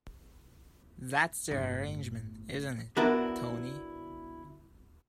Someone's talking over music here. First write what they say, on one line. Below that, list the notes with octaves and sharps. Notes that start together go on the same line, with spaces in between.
That's the arrangement, isn't it, Tony?
G1 A2
D3 B3 D4 E4 F#4 A#4